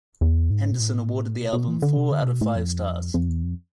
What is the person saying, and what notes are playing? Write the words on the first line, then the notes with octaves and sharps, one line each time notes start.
Henderson awarded the album four out of five stars.
E2
G#2
B2
A2
B2
B2
E3
D3
C3
D3
C3
B2
A2
F2
F2
E2
F2